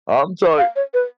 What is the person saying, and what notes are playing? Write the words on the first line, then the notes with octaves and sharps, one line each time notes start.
I'm sorry
F5
C#5
B4